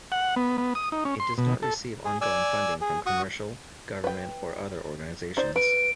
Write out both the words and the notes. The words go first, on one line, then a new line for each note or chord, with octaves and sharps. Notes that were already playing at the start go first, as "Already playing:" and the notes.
It does not receive ongoing funding from commercial, government or other organisations.
F#5
B3
B3
D#6
D#4
C#4
C6
B2
A4
G#4
D5 G#5 E6
G#4
F#4 C#6 D#6
B4 G5
D#4 C5 D5
B4 D7